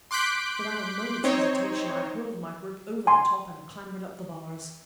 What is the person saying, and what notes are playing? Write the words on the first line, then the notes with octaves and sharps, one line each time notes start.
Without a moment's hesitation I hurled my grip over the top and clambered up the bars!
C6 D6 F#6 G6 B6 D7
C4 D#4 C5 C#5
G#5 C6